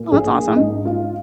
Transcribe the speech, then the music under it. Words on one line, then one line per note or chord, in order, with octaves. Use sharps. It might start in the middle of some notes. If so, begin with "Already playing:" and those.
Well, that's awesome.
Already playing: A#2
A#1 G#4
G#2 D#4
F4